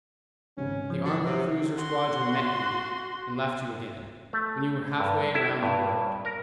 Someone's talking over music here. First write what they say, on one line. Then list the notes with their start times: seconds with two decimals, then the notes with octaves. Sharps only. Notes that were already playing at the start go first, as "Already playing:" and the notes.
The armored cruiser squadron met you, and left you again, when you were half way round the world.
0.58 G#1 C#3 C#4
0.90 F3
1.05 D4 F#4
1.26 C3 F#3
1.75 F#4 C6
4.33 A3
5.00 G2
5.35 E4
5.63 G2
6.25 A#4